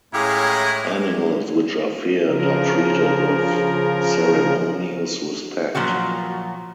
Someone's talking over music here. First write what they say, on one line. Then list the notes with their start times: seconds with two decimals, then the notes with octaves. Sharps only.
Animals which are feared are treated with ceremonious respect.
0.14 A2 G#3 C#4 E4 G4 G#4 F5 A#5
2.26 C#3 F3 A#4
5.75 A#2 F3 F#3 F#4